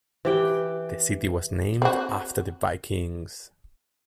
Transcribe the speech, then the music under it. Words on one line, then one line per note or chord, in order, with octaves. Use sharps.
The city was named after the Vikings.
E3 G4 G5
C4 F#4